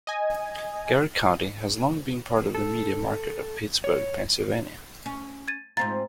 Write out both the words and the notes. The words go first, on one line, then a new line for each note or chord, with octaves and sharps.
Garrett County has long been part of the media market of Pittsburgh, Pennsylvania.
D#5 G#5
A4
C#5
C#4
G#6 A6 D#7
G#2 C4 F4 A#5 A6